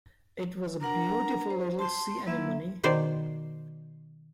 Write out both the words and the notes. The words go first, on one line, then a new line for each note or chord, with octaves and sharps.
It was a beautiful little sea-anemone.
D4 A#4 F#5 A#5
C5
A5 C6
F#3 A#3 E4 E5
B2 D#3 C5 D5